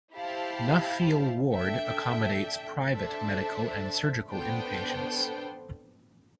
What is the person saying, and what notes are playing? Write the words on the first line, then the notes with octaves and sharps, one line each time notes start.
Nuffield ward accommodates private medical and surgical inpatients.
E4 G4 C5 F5 A5
D4 A4 E5 G5
D4 A4 C5 E5 A5
B3 D4 A4 C5 G5